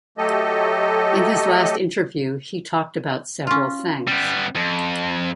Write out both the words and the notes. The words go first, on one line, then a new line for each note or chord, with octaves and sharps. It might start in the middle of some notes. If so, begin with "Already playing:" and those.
In his last interview he talked about several things.
F#3 A3 G4 A4 D#5
C#4 F4
G3 B3
F2